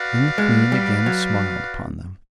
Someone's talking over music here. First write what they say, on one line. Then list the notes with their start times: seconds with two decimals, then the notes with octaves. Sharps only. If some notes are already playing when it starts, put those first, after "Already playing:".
Then the Queen again smiled upon them.
Already playing: F#4 B4 D5 F5
0.38 G#3
0.72 G3
1.06 F#3